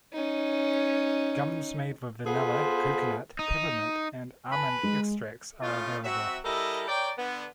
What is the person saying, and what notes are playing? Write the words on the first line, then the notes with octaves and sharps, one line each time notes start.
Gums made with vanilla, coconut, peppermint, and almond extracts are available.
C#4 D#4
B3 F4 G#4 A4 B4 C5
D#4
B4 G#5 A5 B5
G#3
A2 C#3 A3 F4
F#3 C4 F#4 E5
G3 E4 A4 A#4 D#5
A#4 C#5 D5 G5
D3 B3